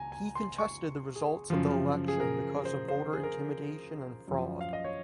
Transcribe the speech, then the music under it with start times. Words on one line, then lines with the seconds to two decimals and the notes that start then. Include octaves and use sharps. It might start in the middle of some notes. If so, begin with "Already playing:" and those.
He contested the results of the election because of voter intimidation and fraud.
Already playing: C#2 G#5 A#5
0.12 G#5
0.35 C6
0.58 C#6
1.15 G#4
1.50 F#2 C#3 F3
2.08 G#4
2.20 A#4
2.65 C5
2.88 C5
3.13 G#4
3.23 A#4
4.28 F#2 F3
4.61 F5
4.73 D#5
4.84 C#5